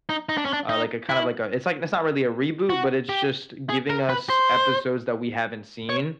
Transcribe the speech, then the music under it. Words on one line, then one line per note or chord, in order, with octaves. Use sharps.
Uh, like, a kinda of like a it's like it's not really a reboot, but it's just giving us episodes that we haven't seen.
D#4
D#4
D4
C#4
D4
D#4
E4
F#4
G4
G#4
A#4
B4
C5
C#5